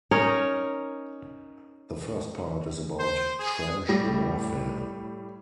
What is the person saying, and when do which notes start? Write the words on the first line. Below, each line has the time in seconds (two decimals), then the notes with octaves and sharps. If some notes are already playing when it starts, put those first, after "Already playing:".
The first part is about trench warfare.
0.11 C#4 D#4 A#4 C#5
2.99 C5
3.39 G#4
3.89 A2 G3